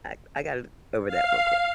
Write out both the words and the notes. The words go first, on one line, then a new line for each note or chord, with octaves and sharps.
I I got over that real quick.
F5